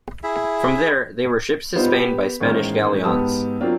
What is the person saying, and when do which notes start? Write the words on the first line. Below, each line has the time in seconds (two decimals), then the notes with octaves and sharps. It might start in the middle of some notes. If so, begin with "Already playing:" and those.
From there, they were shipped to Spain by Spanish galleons.
0.23 E4 G#4 E5
1.76 G3 B3 D#4 F4 C5
1.89 B3 G4 B6
2.41 A1 D#3 G#3 A#3 C5 F6
3.04 G#2 B3 G4 A5 D#6 E6
3.61 F#3 A#3 C4 D4 F4